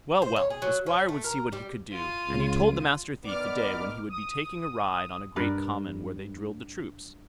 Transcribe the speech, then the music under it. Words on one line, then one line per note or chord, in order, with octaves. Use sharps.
Well, well, the Squire would see what he could do; and he told the Master Thief a day when he would be taking a ride on a great common where they drilled the troops.
C5
C#5
G#4
F#3
C#4
A3
A#4
G3
F4 D#7
C#2
D#3 B3 D5 D6 F6
D#6
G2 A#4 B4 D5